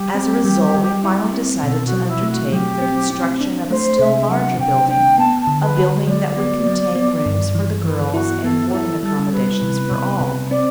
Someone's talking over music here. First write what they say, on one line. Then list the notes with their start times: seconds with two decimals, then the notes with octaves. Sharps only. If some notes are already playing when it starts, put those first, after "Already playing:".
As a result, we finally decided to undertake the construction of a still larger building--a building that would contain rooms for the girls and boarding accommodations for all.
Already playing: G3 G4
0.15 C4
0.45 G3
0.75 G3
1.04 E4
1.34 C4
1.63 B2 A4
1.85 F#4
1.92 F#3
2.07 E4
2.23 A3
2.30 F#4
2.52 F#3 G4
2.82 C4
3.10 C4
3.40 D4
3.70 A3 C5
3.99 C3 E5
4.29 F#3 F#5
4.59 C3 G5
4.88 D4 G5
5.18 B3 A5
5.41 A5
5.47 D3
5.62 B4
5.77 F#4
6.07 F#3 D5
6.37 B3
6.67 F#3
6.95 B3
7.26 G2
7.55 E3
7.84 E3 B4
8.13 E4 F#4
8.43 B3 A4
8.68 G4
8.73 E4 A4
9.03 G3 A4
9.32 G3 B4
9.62 C3
9.91 C3
10.20 C3
10.50 C4 D5